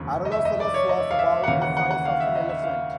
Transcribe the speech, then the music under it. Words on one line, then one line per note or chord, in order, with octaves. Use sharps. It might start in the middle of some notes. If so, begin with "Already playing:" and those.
"Aralosaurus" was about the size of an elephant.
Already playing: F1 D#2 C#3 F3
D#5
E5
D#5
D5
C#5
D#5
F5
E5
F#5
D#2 C#3 E3 F5
F#5
F#5
F#5
F5
E5
D#5
E5
F5